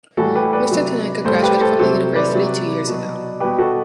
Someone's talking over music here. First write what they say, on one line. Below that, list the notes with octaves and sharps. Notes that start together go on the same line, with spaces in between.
Mr. Tanaka graduated from the university two years ago.
A2 E3 G3 F#4 A4
G4 B4
B4 D5
C3 F#3
A2 G3 A4 C5
G4 B4
A4 C5
C3 F#3 A4 C5
B4 D5
C3 F#3
B2 F#3
B2 G3 G4 B4
F#4 A4